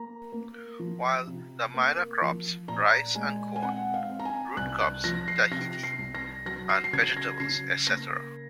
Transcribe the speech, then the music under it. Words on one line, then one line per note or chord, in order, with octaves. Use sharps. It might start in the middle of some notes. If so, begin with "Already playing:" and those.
While the minor products, rice and corn, root crops, Tahiti and vegetables, etc.
Already playing: A#3 A#5
A#3
F3
C3
A#3
F3
A#2 A#5
G#3 G#5
G#5
C4 F#5
F5
C4
A#5
G#5
C2 F#6
F#6
F3 A#6
C7
C3 A#6
C7
C2
A#6
F#3 A#6
C7
C7
C#3 G#6
A#6
C#3 C7
A#3 A#6